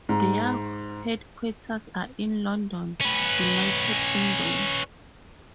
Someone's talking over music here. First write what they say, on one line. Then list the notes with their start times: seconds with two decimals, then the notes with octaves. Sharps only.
Their headquarters are in London, United Kingdom.
0.09 G#2
3.01 C#4 B4